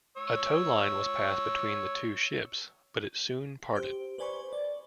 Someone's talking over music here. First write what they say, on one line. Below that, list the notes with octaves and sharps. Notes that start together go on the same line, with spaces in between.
A towline was passed between the two ships, but it soon parted.
C#5 E6
G4 C5
B4 C5 D5 G#5 B5 C#6
D5